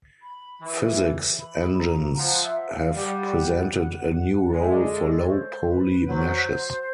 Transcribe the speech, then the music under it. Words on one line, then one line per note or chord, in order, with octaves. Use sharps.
Physics engines have presented a new role for low poly meshes.
B5
E3
B5
A#5
F3 F#5
E5
E5
F5
G3 F#5
G#3 G#5
A3
G#3 D5
A4
A4
C#5
C5
B4
B4
F#3 C5